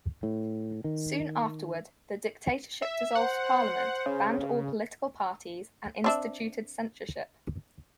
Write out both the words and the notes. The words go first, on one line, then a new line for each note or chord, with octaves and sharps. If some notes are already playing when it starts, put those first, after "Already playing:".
Soon afterward, the dictatorship dissolved parliament, banned all political parties and instituted censorship.
A2
D#3
E5
C5 F#5
C#3
C4 D4 E5